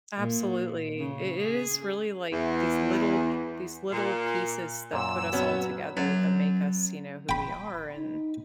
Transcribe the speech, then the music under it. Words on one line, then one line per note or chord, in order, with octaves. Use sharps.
absolutely, i it is really like these little j these little pieces that put us all together that make us, you know, who we are and
A#2
C#3
G#4
E2
A#2
F#2 A#2 E6
F#3 B3 C#4
F#2
G5 B5
D#4